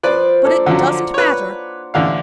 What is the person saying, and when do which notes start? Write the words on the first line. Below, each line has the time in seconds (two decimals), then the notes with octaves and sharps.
But it doesn't matter.
0.03 F3 B4 D5
0.45 A#3 D4 A4 D5
0.66 D3 F3 F#3 F4 F#5
1.14 B4 C#5
1.94 A1 D3 D5 F5